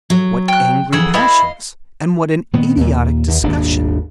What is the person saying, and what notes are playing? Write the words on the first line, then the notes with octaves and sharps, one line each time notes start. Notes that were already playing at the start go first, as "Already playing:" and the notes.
What angry passions--and what an idiotic discussion!
F#3
G5 F#6
F2 E3 G#4 F#5 E6
B3 E4 D#5 F5
A#2 D#3 B3
D#2 A#2
D#2
D#1 G#1 D#2 D4